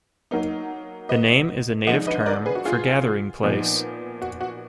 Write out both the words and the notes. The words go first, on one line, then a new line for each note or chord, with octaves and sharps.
The name is a native term for "gathering place".
F#3 A#3 D#4
B4 D#5
D3 F3 G#3 D#4 D#5 F#5
B4 D#5
D#5
A#4 D5
G#4 B4
F#4
F4 G#4
A#2 F3 B3 D#4
F#4
F#4